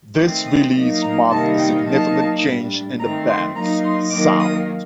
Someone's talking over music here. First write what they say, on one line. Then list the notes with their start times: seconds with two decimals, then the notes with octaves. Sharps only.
This release marked a significant change in the band's sound.
0.18 D#3 A3 C4 D6
0.46 D#6
0.74 F#3 A#3 D#4
1.02 A#5
1.30 C3 D#3 G3 A#3 D#4 A5
1.58 G5
1.86 F#3 A#3 D#4 A5
2.43 A2 G3 D4
2.98 D#3 A3 C4 A#5
3.27 C6
3.55 F#3 A#3 D#4 A#5
3.83 C6
4.10 D#3 F#3 A#3 D6
4.39 D#6